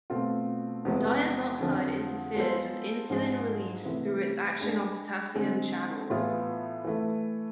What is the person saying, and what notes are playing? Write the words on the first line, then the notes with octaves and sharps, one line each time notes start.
Diazoxide interferes with insulin release through its action on potassium channels.
B2 A3 C4 F4
E2 C3 F3 G#3 B3
F2 D3 F3
G#3 B3 F4 A4 C5
G#2 F3 G#3 D4 G#4
C3 E3 A3
G#3 D4 G#4
D3 G#3 C4
A2 E3 B3 F4 G#4
E3 A3 E4